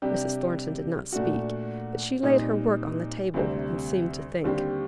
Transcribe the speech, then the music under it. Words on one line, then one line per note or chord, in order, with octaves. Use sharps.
Mrs. Thornton did not speak; but she laid her work on the table, and seemed to think.
C3 G3 D4 G4
A#2 A3 D4 F#4
A#2 G3 C4 D#4
D2 C3 G3 C4
D#2 D3 G3 C4 G4